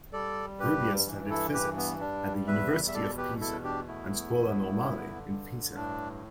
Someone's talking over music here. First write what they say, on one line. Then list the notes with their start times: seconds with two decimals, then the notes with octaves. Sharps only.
Rubbia studied physics at the University of Pisa and Scuola Normale in Pisa.
0.13 G3 A4 D5
0.59 G2 G4 B4
1.07 E3
1.30 E4 A4
1.53 G2 G4 B4
1.77 B3
2.00 G3 D4
2.47 E2 B4 E5
2.88 E5
2.94 B2 A4 D5
3.17 G4 B4
3.41 E2 E4 A4
3.64 D4 G4
3.87 A3 B3 E4
4.35 G2
4.82 D3
5.29 G2
5.75 A2 D4